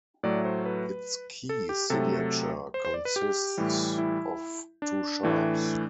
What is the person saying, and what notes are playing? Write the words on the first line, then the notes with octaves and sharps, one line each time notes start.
Its key signature consists of two sharps.
A2 F#3 A3 D5
C5
B4
A4
G4
C3 F#3 A3 A4
C5
C5
D5
B4
G4
A2 E3 G3
E4
D4
A2 E3 A3